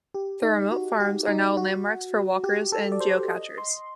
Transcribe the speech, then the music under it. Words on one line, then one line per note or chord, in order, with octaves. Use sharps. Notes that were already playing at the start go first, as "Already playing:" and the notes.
The remote farms are now landmarks for walkers and geocachers.
G4
D#4
F#4
G4
D#4
F#4
G4
A4
D5
C5
D#5
C6